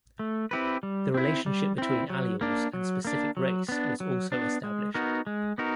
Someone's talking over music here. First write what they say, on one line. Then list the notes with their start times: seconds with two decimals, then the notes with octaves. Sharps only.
The relationship between alleles and specific race was also established.
0.19 A3
0.51 C4 E4 G4 B4
0.83 G3
1.14 C4 E4
1.46 G3
1.78 C4 E4
2.10 F#3
2.41 A#3 D4
2.74 F#3
3.05 A#3 D4
3.37 F#3
3.69 B3 D4
4.00 F#3
4.32 B3 D4
4.64 G#3
4.94 B3 D#4 F#4 A#4
5.27 G#3
5.58 B3 D#4 F#4 A#4